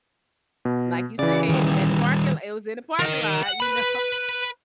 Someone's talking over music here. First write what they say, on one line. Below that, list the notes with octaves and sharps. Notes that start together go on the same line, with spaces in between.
like you said, that parking lo it was in a parking lot, you know?
B2
C#3 E3 D5
D#3 G3
A#4 D#5
F#5
B4 B5